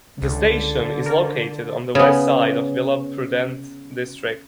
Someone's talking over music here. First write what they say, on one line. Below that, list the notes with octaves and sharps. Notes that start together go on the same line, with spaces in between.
The station is located on the west side of Vila Prudente district.
C#2 D3
A#4
C#3 B3